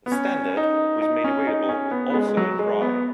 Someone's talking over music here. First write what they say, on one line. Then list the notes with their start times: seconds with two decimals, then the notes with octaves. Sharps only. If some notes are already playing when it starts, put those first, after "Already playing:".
The standard was made available also in Braille.
0.06 B3
0.12 C#4
0.57 D#4
1.02 D#4
1.24 C#4
1.47 D#4
1.69 C#4
1.91 B3
2.10 B3
2.14 G#3
2.29 G#3
2.37 F#3
2.59 G#3
2.81 B3